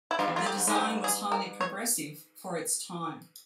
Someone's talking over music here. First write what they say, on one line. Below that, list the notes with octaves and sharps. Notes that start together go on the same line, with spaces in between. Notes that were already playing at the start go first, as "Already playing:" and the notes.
The design was highly-progressive for its time.
E4
G2 F4
E2
F2 F4
G4
G2
G#2
G2 G4
G#4
A#4
C#5